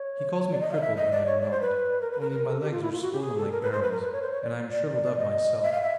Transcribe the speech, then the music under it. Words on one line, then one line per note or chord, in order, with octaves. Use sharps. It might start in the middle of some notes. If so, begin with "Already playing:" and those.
He calls me crippled, but I am not, only my legs are swollen like barrels, and I am shriveled up myself.
Already playing: C#5
D5
D#5
F5
D#5
E5
D#5
D5
C#5
D5
C5
B4
A#4
B4
A#4
A#4
A4
G4
F4
E4
F4
F#4
G4
G#4
A4
A#4
B4
C5
B4
A#4
B4
C#5
C5
C#5
D5
D5
D#5
E5
F5
E5